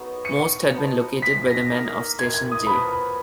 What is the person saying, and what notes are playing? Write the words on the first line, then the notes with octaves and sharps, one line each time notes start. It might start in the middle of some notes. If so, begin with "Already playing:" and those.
Most had been located by the men of Station J.
Already playing: F#3 B3 D#4 F#4 G#4
C#7
F3 B3 D#4
B6
A#6
A#3 D#4 A#4 D#5
G#6
G#6
D#6
F3 B3 F#4 A#4 B5